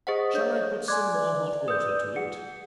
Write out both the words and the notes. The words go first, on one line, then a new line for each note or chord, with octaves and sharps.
Shall I put some more hot water to it?
G#4 C5 D#5 F#5
D4 C#5 G6
D5 G#5 C6 D6 F#6 G#6
B4 D#6 E6 G6
G#4 F#5 C#7